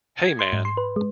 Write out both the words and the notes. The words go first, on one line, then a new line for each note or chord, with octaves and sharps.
Hey man!
G#6
C6
G#2
C6
B4
G#3